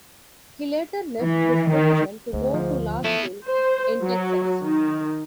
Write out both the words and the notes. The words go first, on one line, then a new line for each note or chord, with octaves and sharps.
He later left this position to go to law school in Texas.
E3
D#3
D2 G#2
F3
A3 B3 E4
C5
F#3
D#3